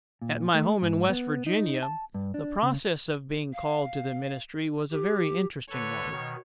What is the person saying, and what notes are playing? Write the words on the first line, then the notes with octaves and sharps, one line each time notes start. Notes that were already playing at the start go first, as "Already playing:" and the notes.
At my home in West Virginia the process of being called to the ministry was a very interesting one.
A#2
A3
G#2
B3
D#4
A5
G2
D4
C#3
F5
G4
D3 A4 B4 C#5
B2 D#3